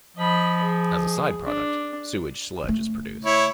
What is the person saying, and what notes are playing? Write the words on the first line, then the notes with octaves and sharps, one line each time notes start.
As a side product, sewage sludge is produced.
F3 D#5 B5
G#4
D4
C#3 A3
E4 C#5